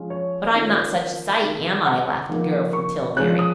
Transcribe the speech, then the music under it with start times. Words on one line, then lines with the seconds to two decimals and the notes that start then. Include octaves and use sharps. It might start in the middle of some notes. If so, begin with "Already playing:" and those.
"But I'm not such a sight, am I?" laughed the girl from Tillbury.
Already playing: F3 G#3 C#4 F4
0.10 C#5
0.54 D#3 A#3 C#4 F4
1.41 D#3 G#3 D#4
1.86 F#5
2.29 F3 A#3 D#4
2.73 C#6
3.16 F3 G#3 C#4 F4 F#6
3.39 D#6